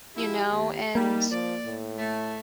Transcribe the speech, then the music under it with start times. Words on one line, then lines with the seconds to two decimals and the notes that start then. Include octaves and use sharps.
you know, and
0.16 F3 E4 G4
0.50 D#2
0.95 G3 A#3 D#4
1.31 F3 D5
1.66 A2
1.98 A3